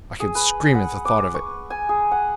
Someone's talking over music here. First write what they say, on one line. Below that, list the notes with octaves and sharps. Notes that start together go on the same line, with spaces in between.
I could scream at the thought of it.
G#4
B4
F#5
D6
C#6
G#5
G#4
F#5